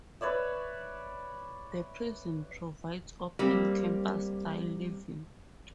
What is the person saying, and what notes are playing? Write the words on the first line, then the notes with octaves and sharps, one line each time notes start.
The prison provides open campus-style living.
B4 C#5 D5 E5
G3 A#3 C4